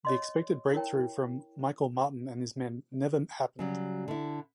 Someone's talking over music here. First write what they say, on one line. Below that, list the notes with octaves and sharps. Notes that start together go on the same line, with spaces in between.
The expected breakthrough from Michael Martin and his men never happened.
C#5 D#5 C6
E4 A#4 C#5 G5
C#3 F#3 G3
D3 E4